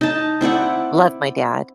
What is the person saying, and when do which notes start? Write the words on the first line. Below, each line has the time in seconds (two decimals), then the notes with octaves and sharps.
love my dad-
0.01 D#4 A5
0.41 C4 E4 D5 F#5